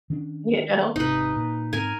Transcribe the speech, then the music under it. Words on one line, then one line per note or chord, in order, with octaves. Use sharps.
You know?
D#3 C#4 D4
G#1 C3 D#4 B4
A#2
G#2 C4 A#4 G#5